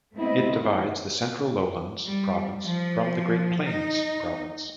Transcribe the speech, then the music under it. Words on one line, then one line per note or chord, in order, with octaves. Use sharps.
It divides the Central Lowlands province from the Great Plains province.
G#3 A3 B3 C4 E4 D#5
D#3
G3
F3
D#4